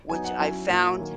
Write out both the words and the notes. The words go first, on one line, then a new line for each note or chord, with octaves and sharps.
which I found
F#3 B3 D#4 G#5
F#5
F#3 C#4 E4 G#5
A#2 A#3 E4
D#3 F#3 A#3